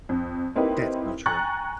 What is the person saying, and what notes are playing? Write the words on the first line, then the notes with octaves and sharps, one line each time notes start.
That's so true.
F2
A#3 C4 D#4 E4 G4 B4
G5 G#5 A#5 C#6 F#6 A6